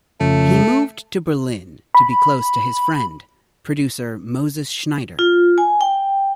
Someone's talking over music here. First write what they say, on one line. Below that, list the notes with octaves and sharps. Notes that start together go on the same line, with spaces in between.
He moved to Berlin to be close to his friend, producer Moses Schneider.
F2 C#3 A3
B5
F4
G#5
G5